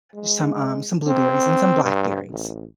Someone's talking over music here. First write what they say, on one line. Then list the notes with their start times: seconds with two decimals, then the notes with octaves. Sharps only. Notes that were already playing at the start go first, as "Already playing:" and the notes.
some um, some blueberries, and some blackberries,
0.14 G#3
1.07 C4
1.84 G2
2.30 A1